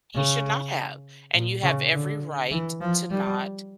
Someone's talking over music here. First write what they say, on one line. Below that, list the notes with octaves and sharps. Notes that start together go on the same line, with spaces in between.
He should not have, and you have every right to not,
C#3
A#2
C#3
D3
E3
F3
G3